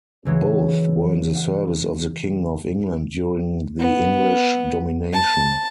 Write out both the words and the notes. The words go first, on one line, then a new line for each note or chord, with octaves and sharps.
Both were in the service of the king of England during the English domination.
C#3 E3 F#3 G#3
B3
A5